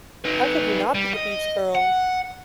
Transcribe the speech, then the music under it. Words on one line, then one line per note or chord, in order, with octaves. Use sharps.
How could you not be a beach girl?
D#4 B4
G3
D#5
F#5